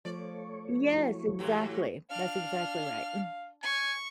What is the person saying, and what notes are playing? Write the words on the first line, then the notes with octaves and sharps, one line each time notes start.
Yes, exactly. That's exactly right, mm
F3 A3 C#5 D5
E4 F#4
A2 E3 F#3 G4
D4 F5 F6
G#5 C#6